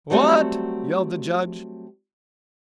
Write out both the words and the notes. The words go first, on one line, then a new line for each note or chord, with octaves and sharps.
"What!" yelled the Judge.
F#3 G3 A3 C4 F#4